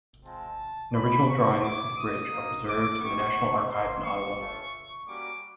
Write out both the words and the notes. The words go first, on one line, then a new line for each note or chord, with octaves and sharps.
An original drawings of the bridge are preserved in the National Archive in Ottawa.
G#3 C4 F4 A5
G#3 B3 D#4 B5
C#6
B3 E4 G4 D6
D#6
A#3 D#4 F#4
D6
B3 E4 G4 C#6
A#3 D4 F4 C6
C#6
A3 C#4 F4
G3 A#3 C#4 F#4 D6